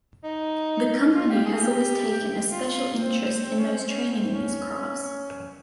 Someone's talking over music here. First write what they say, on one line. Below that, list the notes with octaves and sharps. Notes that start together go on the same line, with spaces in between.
The Company has always taken a special interest in those training in these crafts.
D#4
F4
G4
G#4
G4
F4
C4
C4
C#4
C4
C#4
C4
C#4